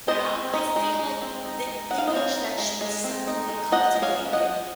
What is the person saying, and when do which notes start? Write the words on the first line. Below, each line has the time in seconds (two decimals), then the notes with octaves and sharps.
but I I feel like the image that she was suddenly cultivating
0.07 G#3 C5 D#5
0.31 C4
0.54 D#4
0.76 G#3
0.99 G#3
1.22 C4
1.45 D#4
1.67 G#3
1.90 G#3 F#5
1.98 F5
2.07 D#5
2.13 C4 C#5 F5
2.35 D#4
2.58 G#3
2.81 G#3
3.04 C4
3.27 D#4
3.49 G#3
3.72 F3 D#5 F#5
3.95 G#3
4.02 C#5 F5
4.18 C#4
4.33 D#5 F#5
4.40 F3